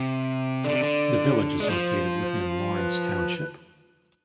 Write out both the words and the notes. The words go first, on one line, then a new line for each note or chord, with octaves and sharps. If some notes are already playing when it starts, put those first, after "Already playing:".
The village is located within Lawrence Township.
Already playing: C3
D3 D5
C3
D3
G#3 D5
F3 C5
B4